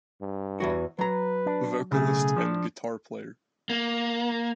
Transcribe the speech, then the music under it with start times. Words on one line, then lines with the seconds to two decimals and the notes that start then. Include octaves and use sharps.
Vocalist and guitar player.
0.21 G2
0.60 E2 E3 F#4
0.99 F#3 B4 A#5
1.46 D4
1.92 B1 C#3 A3 G#4
2.37 F3 D4
3.70 A#3